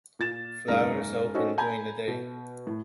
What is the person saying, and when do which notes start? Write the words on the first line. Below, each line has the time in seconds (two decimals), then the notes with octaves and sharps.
Flowers open during the day.
0.19 A#2 A6 E7
0.68 F#1 G#2 A#4
1.34 C#4 D#4 F#4 A4 C5
1.58 G#5 A#5 B5 G6
2.07 B2
2.67 A2